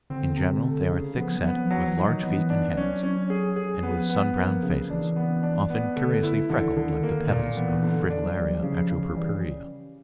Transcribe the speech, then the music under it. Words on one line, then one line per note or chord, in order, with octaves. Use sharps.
In general they are thickset, with large feet and hands, and with sun-browned faces, often curiously freckled like the petals of Fritillaria atropurpurea.
D3 C4
C3
A3
C#3
F3 B3
F#3
B3
F3
F3 F#3
E3
D#4
D#3
E3 B3
D4
F#3 C#4
C#4
G#4
G#4
F3 B3
B3
F3 A#3
C#3
E3 D4
B3
D4
B3
D3 A3
E4
D3 D#3
E3
D#3
D3
A#3
A#2
E3 B3
D3
D4
F#3
F#3 G3
F3
C#3 F3
C#3
E3 G3